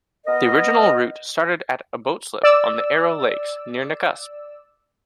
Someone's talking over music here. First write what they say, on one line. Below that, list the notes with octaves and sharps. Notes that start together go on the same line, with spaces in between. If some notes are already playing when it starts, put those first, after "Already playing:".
The original route started at a boat slip on the Arrow Lakes near Nakusp.
B3 A#4 D#5
D5 E6